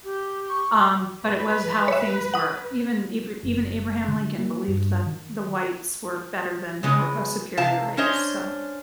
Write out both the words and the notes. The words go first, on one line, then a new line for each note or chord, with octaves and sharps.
Um, but it was how things were. Even eve even Abraham Lincoln believed that the whites were better than or a superior race, so.
G4
C#6
B4
C#5 E5
F#5 D#6
F#1
D3
A#3
G2
D#3
C#3 G#3 B3
C3 F5 A5
C#4 D4 C5 C#5 D#5